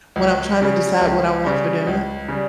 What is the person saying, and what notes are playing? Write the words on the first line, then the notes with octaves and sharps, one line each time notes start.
when I'm trying to decide what I want for dinner.
C#2
C#3 G3
C#2
C#3 G3
C#2
C#3 G3